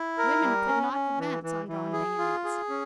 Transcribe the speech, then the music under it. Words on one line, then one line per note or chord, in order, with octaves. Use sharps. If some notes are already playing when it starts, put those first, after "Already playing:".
Women could not advance on drawn bayonets.
Already playing: E4
A#4
G3
C#4
C#4
E3
E3
E3
G#4
F4
G#4
C#4